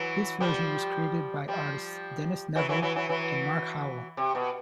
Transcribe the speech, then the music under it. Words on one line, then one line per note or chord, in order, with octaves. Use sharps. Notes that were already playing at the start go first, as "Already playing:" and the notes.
This version was created by artists Dennis Neville and Mark Howell.
Already playing: E3 F#3
F3 G3
F3 G3
E3 F#3
E3 F#3
E3 F#3
E3 F#3
E3 F#3
C3
B2